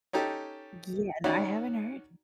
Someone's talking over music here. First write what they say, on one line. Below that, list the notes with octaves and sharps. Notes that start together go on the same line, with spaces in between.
Yeah. No, I haven't heard
C#4 D#4 G4 A4
D#3 C#4 F#4 D5